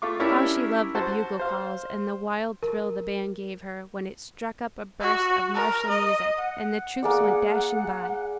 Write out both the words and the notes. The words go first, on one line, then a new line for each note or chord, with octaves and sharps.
How she loved the bugle-calls and the wild thrill the band gave her, when it struck up a burst of martial music, and the troops went dashing by!
A3 F4 C#6 D6
C#4 D4 E4 G4 A#4 C#5
F#4 C5 A5
C5 F5
A#4
F#4
A#4
D#5
F#5
A#3 G#4 D5